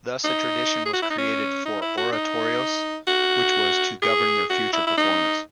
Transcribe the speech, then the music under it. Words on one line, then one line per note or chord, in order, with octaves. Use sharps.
Thus a tradition was created for oratorios which was to govern their future performance.
D#4
G#4
F#4
E4
D#4
C#4
D#4
E4
F#4
D#4
F#4
G#4
F#4
E4
E4
D#4